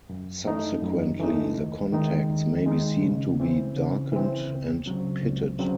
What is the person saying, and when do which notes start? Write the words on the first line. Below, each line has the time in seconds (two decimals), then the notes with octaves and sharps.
Subsequently, the contacts may be seen to be darkened and pitted.
0.09 F#2
0.46 E3 A3 D#4
0.82 F#2
1.19 E3 A3 D#4
1.56 D#2
1.92 D#3 G#3 D#4
2.30 D#2
2.66 D#3 G#3 D#4
3.03 C#3
3.40 E3 C4
3.76 C#3
4.12 E3 C4
4.49 C#2
4.86 C#3 F#3 C4
5.23 C#2
5.59 C#3 F#3 C4